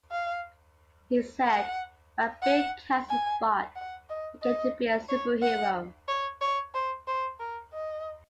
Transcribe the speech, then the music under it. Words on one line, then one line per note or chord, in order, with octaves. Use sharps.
He said, about being cast as Bot, I get to be a superhero.
F5
F#5
F#5
G#5
F#5
D#5
D#5
C#5
F#5
C#5
C#5
C5
C5
A#4
D#5